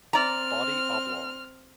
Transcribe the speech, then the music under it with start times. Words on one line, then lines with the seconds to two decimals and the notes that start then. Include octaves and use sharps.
Body oblong.
0.13 C4 D5 A#5 F6